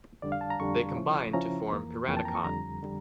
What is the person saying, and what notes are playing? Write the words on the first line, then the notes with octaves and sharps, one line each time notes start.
They combine to form Piranacon.
F2 D3 G3 D4 D5
F5
A5
A#5
F2 D3 G3 D4 C#6
C#3 F3 C#4 E4
C#3 F3 C#4 E4 A#5
F2 E3 A#3
F2 E3 A#3 G5
A5
A#5
C#6
F2 D3 G3 A#5
D3 G3